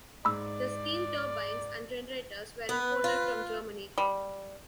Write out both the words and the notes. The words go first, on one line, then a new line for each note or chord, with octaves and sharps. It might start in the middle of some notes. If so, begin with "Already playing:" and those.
The steam turbines and generators were imported from Germany.
G#2 D5 B5 E6
B3 B4
F4
G3